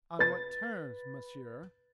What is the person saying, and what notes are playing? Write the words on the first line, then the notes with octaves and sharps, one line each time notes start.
"On what terms, monsieur?"
B4 A6